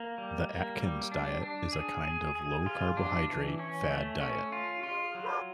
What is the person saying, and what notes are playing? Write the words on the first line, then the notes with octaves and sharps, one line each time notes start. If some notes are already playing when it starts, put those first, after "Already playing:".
The Atkins diet is a kind of low-carbohydrate fad diet.
Already playing: A#3
G3
A#3
G3
D4
D4
G#4
G#4
G#4
F4
D4
E3
C#4
A3
C#4
F4
F4
F#3